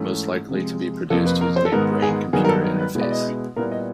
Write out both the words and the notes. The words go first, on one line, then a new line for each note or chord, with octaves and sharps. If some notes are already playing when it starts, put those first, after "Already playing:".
Most likely to be produced using a brain-computer interface.
Already playing: G#2 E3 A3 C#4
C3 F3 G#3
F2 C3 F3 A#3 A4
B4
A#4
C5
A4
G#2 D#3 G#3 B3 D#4 A#4
G#4
G2 D#3 F#3 B3 D#4 G#4
A#4
A4
A#4
B4
B2 G#3 B3 E4
D5
D#5
A#2 G3 B3 E4 A#4
D#5